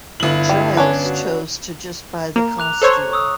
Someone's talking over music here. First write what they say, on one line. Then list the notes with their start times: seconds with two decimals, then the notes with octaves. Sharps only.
Giles chose to just buy the costume.
0.20 G1 E4 F#7
0.49 G3
0.77 C#4 D4 B4
1.03 F#4
2.36 A#3 A#5 F6
2.58 D6 F#6 F7
2.82 A4 C5 C#5
3.12 C#6 D#6 E6